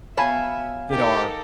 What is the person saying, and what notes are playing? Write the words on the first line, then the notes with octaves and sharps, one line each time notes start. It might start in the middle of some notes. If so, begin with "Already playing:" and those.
that are
F#3 B3 E5 F5 G#5 A5 B5
D#4 G4 A4 A#4